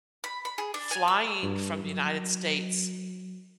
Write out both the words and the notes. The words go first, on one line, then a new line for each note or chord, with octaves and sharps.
flying from the United States
B5
B5
G#4
D4
G#5
E6
G2
F#3